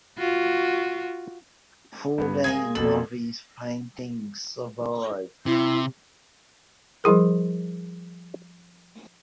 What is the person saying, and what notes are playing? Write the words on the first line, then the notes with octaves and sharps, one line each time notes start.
Fourteen of his paintings survived.
F4 F#4
G2 B3
G#3 A#3 G#5 G#6
F2 B2 A4 F#7
C3 E4
F3 G3 E4 G#4 A#4